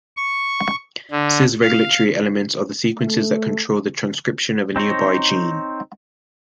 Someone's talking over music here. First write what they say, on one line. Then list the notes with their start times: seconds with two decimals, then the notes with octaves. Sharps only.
Cis-regulatory elements are sequences that control the transcription of a nearby gene.
0.17 C#6
1.11 D3
1.61 F5
2.98 A3
4.76 C4 D#4 C5 C#5 A#5